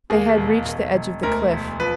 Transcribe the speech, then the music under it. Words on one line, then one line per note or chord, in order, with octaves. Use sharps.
They had reached the edge of the cliff.
D#2 G#4
E1
E1
E1
D2 A#4
E1
F3 B4